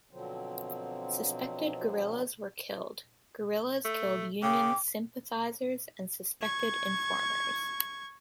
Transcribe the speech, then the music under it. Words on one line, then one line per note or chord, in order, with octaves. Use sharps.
Suspected guerrillas were killed; guerrillas killed Union sympathizers and suspected informers.
B2 D3 F3 F#3 C4
A3
C#3 G5 D6
C#6 G#6